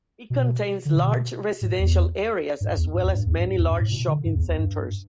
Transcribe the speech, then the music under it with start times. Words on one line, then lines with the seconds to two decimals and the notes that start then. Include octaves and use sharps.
It contains large residential areas as well as many large shopping centers.
0.30 B2
0.85 D3
0.96 B2
1.61 A2
1.79 E2
2.61 G2
2.77 E2
2.94 G2
3.04 E2
3.15 G2
3.27 E2
3.37 G2
3.48 G2
3.59 E2
3.70 G2
3.81 A2
3.91 B2
4.07 D3
4.25 G2
4.35 E2
4.47 E2
4.57 G2